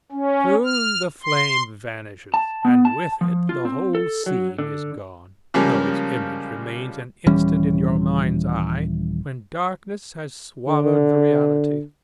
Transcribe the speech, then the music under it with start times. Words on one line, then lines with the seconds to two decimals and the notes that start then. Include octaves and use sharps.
Soon the flame vanishes, and with it the whole scene is gone, though its image remains an instant in your mind's eye when darkness has swallowed the reality.
0.12 C#4
0.65 F6
1.23 C6
2.34 A5
2.65 B3
2.85 A5
3.21 F3
3.49 F4
3.65 C4
3.95 A4
4.26 F#3
4.59 D3
5.54 C#3 F3 G3 G#3 A#3 C#4
7.27 D#1 E3 G3 C#4
10.68 D3